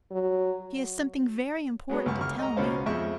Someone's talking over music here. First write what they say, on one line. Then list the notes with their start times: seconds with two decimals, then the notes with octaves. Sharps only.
"She has something very important to tell me."
0.12 F#3
1.90 F#3 G#3 B3
2.06 C#2 F#2 C#6
2.21 C#2 C#6 F6
2.39 D#5 A#5
2.56 C#2 B2 C#4 C5 F5
2.86 F2 F3 G#3 E5 C#6